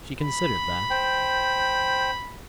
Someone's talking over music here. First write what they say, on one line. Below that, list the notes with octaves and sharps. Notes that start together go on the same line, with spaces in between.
She considered that.
B5
C5 G5